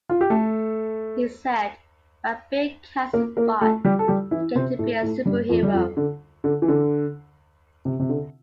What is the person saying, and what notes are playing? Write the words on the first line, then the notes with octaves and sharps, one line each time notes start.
He said, about being cast as Bot, I get to be a superhero.
F4
G4
A3 A4
A#3 A#4
A#3 A#4
A3 A4
G3 G4
A4
G3 G4
E3 E4
C3 C4
A2 A3
A2 A3
G2 G3
F2 F3
G3
F2 F3
D3
D3
E3
D3
C3
C3
D3